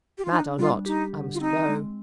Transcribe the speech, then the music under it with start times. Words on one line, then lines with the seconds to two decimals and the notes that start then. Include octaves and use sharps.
"Mad or not, I must go."
0.18 G4
0.25 F4
0.32 D4 D#4
0.59 G3 F4
0.86 D#4 G4
1.13 D3
1.34 F4
1.41 C4 D#4
1.69 G#3